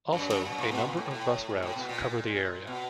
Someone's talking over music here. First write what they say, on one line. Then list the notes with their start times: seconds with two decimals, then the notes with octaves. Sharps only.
Also a number of bus routes cover the area.
0.13 F#2
0.32 F#2
0.45 F#2
0.58 A#2
0.71 B2
0.84 A#2
0.97 A2
1.11 A2
1.49 G#2
1.63 A2
1.76 B2
1.89 A#2
2.28 A#2
2.67 B2